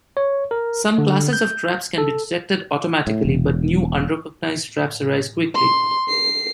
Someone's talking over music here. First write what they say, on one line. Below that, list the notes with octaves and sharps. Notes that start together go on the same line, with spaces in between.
Some classes of traps can be detected automatically, but new, unrecognized traps arise quickly.
C#5
A#4
D3
G6
A4
A2
E1
C6
C7